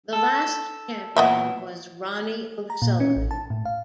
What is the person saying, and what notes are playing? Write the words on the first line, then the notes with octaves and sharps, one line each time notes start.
The last champion was Ronnie O'Sullivan.
A4
A#2 E3 B3 D#5 E5
A#5
A#2
C#4
A1
A5
A2
F5